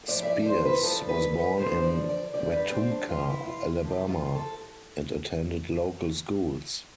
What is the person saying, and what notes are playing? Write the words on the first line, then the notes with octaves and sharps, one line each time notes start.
Spiers was born in Wetumpka, Alabama, and attended local schools.
A2 F3 D5
E5
D5
C5
B4
G2 F3 A4
B4
B4
F2 D3 F3 C5
D5
D5
F2 D3 G3 D5
B4
C4
D4
F2 C3 E3 F4
E4
F4
G4
E2 C3 F3 A4
F4
A4